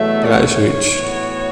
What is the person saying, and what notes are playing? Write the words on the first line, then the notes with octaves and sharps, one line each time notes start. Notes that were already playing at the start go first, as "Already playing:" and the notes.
Price reached.
Already playing: E2 B2 F#3 A3 E5
C#5
A2 E3 B3 F#4